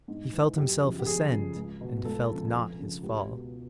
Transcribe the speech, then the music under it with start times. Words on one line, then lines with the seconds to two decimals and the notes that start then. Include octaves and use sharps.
He felt himself ascend, and felt not his fall.
0.08 G#2
0.33 E3
0.57 F#2 G4
0.82 C#3 F3
0.99 G4
1.07 F2 G#4
1.31 C#3 F3
1.55 C#2
1.81 B2
2.05 C#2 A4
2.30 C#3 F3
2.55 F2
2.79 C#3 F3
3.03 C#2 G4
3.29 B2